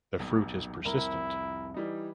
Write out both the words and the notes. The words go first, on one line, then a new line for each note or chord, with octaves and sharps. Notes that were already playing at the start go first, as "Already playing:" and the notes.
The fruit is persistent.
D#1 B1
C2 F2 E4 A#4
E3 G3 D#4